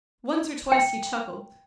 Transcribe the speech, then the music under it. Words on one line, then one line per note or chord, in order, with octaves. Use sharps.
Once or twice he chuckled.
G5